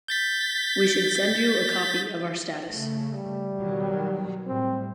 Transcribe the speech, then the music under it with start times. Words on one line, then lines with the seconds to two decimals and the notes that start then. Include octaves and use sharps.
We should send you a copy of our status.
0.08 G6 A6 B6
2.69 C#3 A3
3.11 G3
3.56 B2 D#3 F#3
4.47 A2 G3 C4